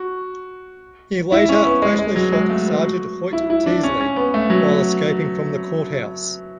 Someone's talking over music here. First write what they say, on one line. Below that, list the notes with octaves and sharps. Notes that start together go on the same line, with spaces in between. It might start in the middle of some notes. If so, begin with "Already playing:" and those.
He later fatally shot Sergeant Hoyt Teasley while escaping from the courthouse.
Already playing: F#4
E4
C#4
B3
G#3
G#3
F#3
G#3
A3
B3
F#4
E4
E4
D4
C#4
C#4
B3
A3
F#3